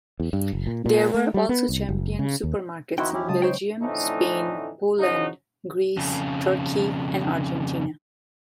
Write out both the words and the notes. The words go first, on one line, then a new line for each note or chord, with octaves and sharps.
There were also Champion supermarkets in Belgium, Spain, Poland, Greece, Turkey and Argentina.
E2
G2
F#1
A#2
A#2
A3
G3
B3
C2
F#1
C#3
D#2
E2 C4 D#4 E4 F#4 F#5 G5
C#4 E4 G4
C#3 F#3 G#3 A5 D#6
D#4 C5 C#5 G5
F2 A2 D3 E3 A3 D#4
F#2 C#3 F3 F#3 D#4
F2 C#3